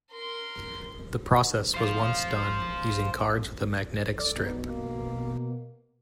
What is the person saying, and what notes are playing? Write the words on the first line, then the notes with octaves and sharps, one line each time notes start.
The process was once done using cards with a magnetic strip.
A#4 C6
C5 F5
A4 D5
B2 D#4
A#3